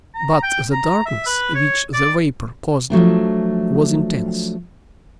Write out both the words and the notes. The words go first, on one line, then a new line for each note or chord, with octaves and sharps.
But the darkness which the vapour caused was intense.
A#5
G5
A#5
E5
B4
C#5
D5
F3 F#3 A3 D4